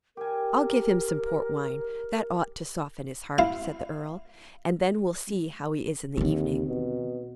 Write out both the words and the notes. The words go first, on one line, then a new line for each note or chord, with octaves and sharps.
"I'll give him some port wine that ought to soften his heart," said the earl, "and then we'll see how he is in the evening."
G4 A#4 G#5
E4 F5
D#2 D3 C4
B2